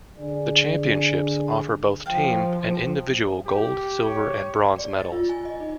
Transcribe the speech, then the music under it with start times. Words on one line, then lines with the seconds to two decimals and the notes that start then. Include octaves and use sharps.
The Championships offers both team and individual gold, silver, and bronze medals.
0.18 D3 G#4 D5
2.06 F3 F5 G5
3.46 G4
3.99 C#5
4.78 D5
4.99 A6
5.12 F4
5.29 G#5
5.45 D#5
5.60 D#4